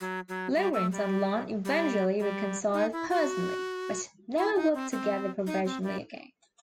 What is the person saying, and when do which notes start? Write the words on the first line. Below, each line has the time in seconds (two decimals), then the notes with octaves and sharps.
Lawrence and Lon eventually reconciled personally, but never worked together professionally again.
0.01 F#3
0.28 F#3
0.55 G3
0.74 A3
0.92 G3
1.65 G3
2.19 G3
2.74 D#4
2.92 E4
3.10 F#4
4.38 E4
4.56 D#4
4.74 C4
4.92 C4
5.47 D#4
5.65 C4
5.83 G3